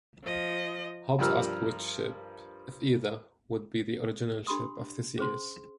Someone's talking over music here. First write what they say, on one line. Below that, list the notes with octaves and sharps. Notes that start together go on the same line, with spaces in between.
Hobbes asked which ship, if either, would be the original Ship of Theseus.
F3 D#5
G2 F3 G3 A#4 E6 F6
D4 G4 B5 C6 D#6
C#4 G#4 C5 C6